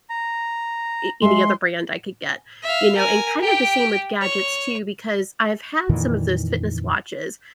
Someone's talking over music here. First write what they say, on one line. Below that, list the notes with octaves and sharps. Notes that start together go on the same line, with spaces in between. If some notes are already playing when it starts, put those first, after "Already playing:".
a any other brand I could get, you know, and kinda the same with gadgets, too, because I have had some of those fitness watches
A#5
G#3 E5 C6
E5 F5
A#4 G#5
G4 G5
C#5
F2 A#2 D#3 E3